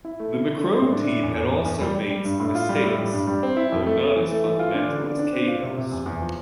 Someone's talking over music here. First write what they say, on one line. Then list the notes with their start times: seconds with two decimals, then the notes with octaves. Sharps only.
The McCrone team had also made mistakes, though none as fundamental as Cahill's.
0.05 E4
0.20 A3
0.34 E4
0.50 D3
0.64 G3
0.79 A2
0.92 D4
1.08 A2
1.23 E2
1.38 E2
1.52 E2
1.66 E2
1.81 G3
1.95 G3
2.10 G3
2.25 G2
2.40 A2
2.55 F4
2.69 G3
2.84 A2
2.98 G3
3.13 G2
3.27 G3
3.43 C4
3.57 E4
3.72 F2
3.86 A3
4.01 A3
4.16 E3
4.31 A3
4.45 E3
4.59 F4
4.75 D4
4.89 D3
5.04 D4
5.19 D4
5.33 C4
5.48 F4
5.63 C3
5.77 C3
5.92 E2
6.06 E2
6.22 F3